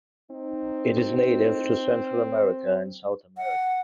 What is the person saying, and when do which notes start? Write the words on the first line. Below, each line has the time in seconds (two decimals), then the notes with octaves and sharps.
It is native to Central America and South America.
0.31 C4 D#4
3.37 F#5